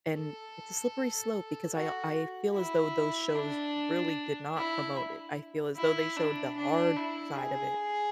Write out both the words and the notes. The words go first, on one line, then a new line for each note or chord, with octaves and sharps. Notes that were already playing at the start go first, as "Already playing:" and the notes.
And it's a slippery slope because I I feel as though those shows really did not promote it. I feel as though they showed the hard side of it.
A4
F#4
E4
D4
E4
E4
D4
D4
E4
G#4